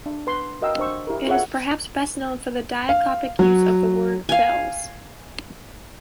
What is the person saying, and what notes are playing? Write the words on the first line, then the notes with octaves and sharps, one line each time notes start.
It is perhaps best known for the diacopic use of the word bells.
D4
B4 C6
F#4 A#4 D#5 F5 G5 E6
D4 C5 C#6 E6
E4 G4 A#4
F4 G#4 C#5 E5 F#5
F5
F#3
F5 G#5